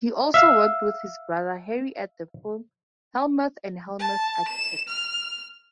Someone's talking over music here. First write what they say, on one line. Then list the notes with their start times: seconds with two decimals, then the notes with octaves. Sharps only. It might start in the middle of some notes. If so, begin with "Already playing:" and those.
He also worked with his brother Harry at the firm Hellmuth and Hellmuth Architects.
0.34 E5 F5
3.99 A5
4.49 E7
4.89 F6